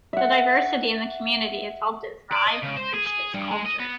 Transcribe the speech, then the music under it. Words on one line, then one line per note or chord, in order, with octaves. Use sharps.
The diversity in the community has helped it thrive and enriched its culture.
E5 F#5
D5
D#5
C#3
C5
G#4
G#4
G2
G#3
D#5
B3